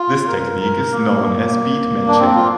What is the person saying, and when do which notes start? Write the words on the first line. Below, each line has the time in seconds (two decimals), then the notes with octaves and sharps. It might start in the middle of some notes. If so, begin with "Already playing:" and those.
This technique is known as beatmatching.
Already playing: F4
0.28 A#4
0.61 A#4
0.92 A#3
2.08 D4
2.20 C4
2.35 F4